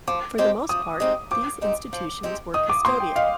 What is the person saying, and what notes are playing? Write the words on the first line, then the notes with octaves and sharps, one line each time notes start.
For the most part, these institutions were custodial.
F3 D6
G#3 C4 D#4 G4
F3 D#6
G#3 C4 D#4 G4
F3 D6
G#3 C4 D#4 G4
F3
G#3 C4 D#4 G4
D#3 D#6
D6
A#3 F4 C5 C6
G5
D#3 F5